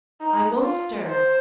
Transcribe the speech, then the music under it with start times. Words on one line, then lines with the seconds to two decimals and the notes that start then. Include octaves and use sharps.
"I won't stir."
0.21 D#4
0.65 F4
1.08 C5